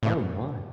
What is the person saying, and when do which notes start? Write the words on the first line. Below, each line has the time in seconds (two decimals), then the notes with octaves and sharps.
Oh, my.
0.03 A2